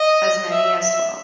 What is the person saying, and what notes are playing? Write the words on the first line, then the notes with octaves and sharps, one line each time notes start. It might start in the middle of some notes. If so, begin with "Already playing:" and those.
As many as twelve.
Already playing: D#5
E5
E5